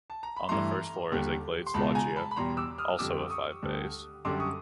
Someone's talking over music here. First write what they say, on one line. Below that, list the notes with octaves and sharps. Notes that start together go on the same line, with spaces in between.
On the first floor is a glazed loggia, also of five bays.
A5
A#5
B5
G2 E3 A3 A#5 C6
D#2 D3 G3
C6
C#2 B2 G#3 A5 B5
G#5 A#5
A5 B5
B5
E2 B2 G3 A#5 C6
D6 E6
D#6 F6
F6
F2 D3 G3 D6 E6
C#6 D#6
D2 D3 G3
F#2 D3 G3 C6 D6
C#6 D#6